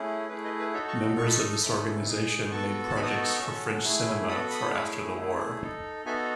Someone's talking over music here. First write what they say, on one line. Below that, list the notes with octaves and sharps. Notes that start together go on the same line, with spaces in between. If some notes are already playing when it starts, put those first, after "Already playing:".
Members of this organization made projects for French cinema for after the War.
Already playing: A3 C#4 E4 G#4
A3 E4 G#4 B4
B4 D#5
B4
D#4 F#4 A4 C#5 E5
A5 C#6
D#4 A4 B5 C#6
A5 C#6
A3 C#4 E4 A4 B5 D#6
D#4 G#4
B3 F#4 A4 A5 C#6
A5
B3 D#4 F#4 A4 G#5 B5
D#6
A5 C#6
C#6 E6
C#4 F#4 A4
A3 E4 G#4
B3 F#4 A4 B5 D#6
B5 D#6
A3 C#4 E4 G#4
A3 E4 G#4
D#4 A4
B3 D#4 F#4 A4 E5 G#5